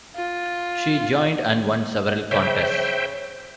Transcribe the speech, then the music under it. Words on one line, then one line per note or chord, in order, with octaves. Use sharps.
She joined and won several contests.
F4
C#3 C5 E5 G5